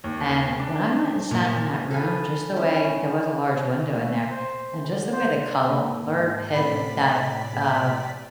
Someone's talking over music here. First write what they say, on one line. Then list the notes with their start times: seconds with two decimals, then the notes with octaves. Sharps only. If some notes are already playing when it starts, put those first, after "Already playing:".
And when I went and sat in that room, just the way there was a large window in there, and just the way the color hit that, uh,
0.04 D#2
0.59 D4
1.31 A#2
1.91 A4 B4 F5 G#5
2.56 C#4 E4
3.91 A3
4.30 C5
4.77 E3
4.90 D3
5.12 C5
5.69 G#2 A#3 B4 A5 A#5
6.54 A2 C3 A3 C4 C#4 D5 B5 B6
7.53 A#1